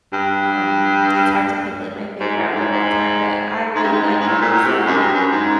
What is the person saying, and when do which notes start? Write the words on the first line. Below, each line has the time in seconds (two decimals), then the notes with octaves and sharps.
Um, it's hard to pick, like, my favorite rapper of all time, but I really like him, so
0.13 G2
2.20 G#2
2.37 A2
2.51 G2
2.55 G#2
2.72 G#2
3.75 G#2
3.84 G2
3.92 G#2
4.21 G#2
4.28 A2
4.41 A#2
4.54 A2
4.66 C3
4.86 F#2
4.98 G2
5.14 F#2
5.32 G#2